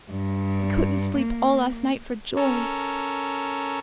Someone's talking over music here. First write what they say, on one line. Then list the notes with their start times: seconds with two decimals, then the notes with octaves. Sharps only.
I couldn't sleep all last night for joy.
0.10 G2
1.18 A#3
2.37 C#4 A4 A#4